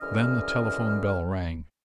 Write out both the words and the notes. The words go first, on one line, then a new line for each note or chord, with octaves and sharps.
Then the telephone bell rang.
C2 D3 E3 C#4 D#5 F6